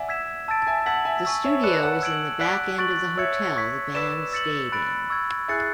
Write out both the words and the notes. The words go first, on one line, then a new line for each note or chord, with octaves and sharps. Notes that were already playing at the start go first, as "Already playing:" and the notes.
The studio was in the back end of the hotel the band stayed in.
Already playing: D5 E5 F#5 G#5
E6 G#6 B6 E7
A5 E6 A6 D7
E5 G#5
F#5 A5 E6 G#6 B6 F#7
E5 G#5
G#5 C#6 E6
C#5 E5
B4 D5 F#6 C#7 E7
D5 F#5
E6 G#6 D7 F#7
D5 F#5 F#6 B6 D7
C#6 F#6 A6 D7 F#7
C#5 E5 E6 G#6 C#7
C#6 G#6 B6
B4 D5 E6 B6 E7
E6 A6 C#7 F#7
B5 F#6 A6 D7
C#6 E6 G#6
E4 G#4 F#6 A6 C#7